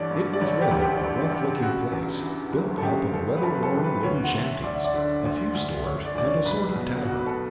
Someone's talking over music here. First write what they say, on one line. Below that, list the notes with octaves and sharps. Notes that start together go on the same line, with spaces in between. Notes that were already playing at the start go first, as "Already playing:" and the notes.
It was rather a rough-looking place, built up of weather-worn wooden shanties, a few stores, and a sort of tavern.
Already playing: A1 G2 E3 A4 C#5 D5
G2
D5
A1 C#5
G4
A1
G4
G2
G2
C#3 F#4
E2
E3
F#1
A4
C#3 G4
C#3 A4
B4
F#1 A4
B4
A4
E3
B4
B4
D2 C#5
F#5
D2
E5
D2 D5
E5
D5
D3
D2
D2
D2 C#5
D5
D2 D5
C#5
B1 B4
B2
B2 F#4
B4
A4